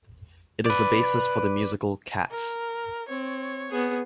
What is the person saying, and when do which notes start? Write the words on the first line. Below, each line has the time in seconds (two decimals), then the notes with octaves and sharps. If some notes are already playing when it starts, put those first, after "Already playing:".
It is the basis for the musical "Cats".
0.66 B4 D5
2.30 A#4
3.09 C4 C#5
3.70 B3 G#4